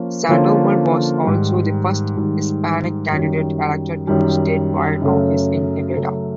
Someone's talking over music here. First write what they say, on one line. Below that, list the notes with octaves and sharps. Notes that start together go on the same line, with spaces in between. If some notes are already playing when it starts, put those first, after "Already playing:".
Sandoval was also the first Hispanic candidate elected to statewide office in Nevada.
Already playing: F3 A#3 C#4 F4
D3 F3 A#3 C#4 F4
G#2 D#3 G3
G#2 D#3 G3
F#2 D#3 G3
F#2 D#3 G3
F#2 C#3 F#3 A3
F#2 C#3 F#3 A3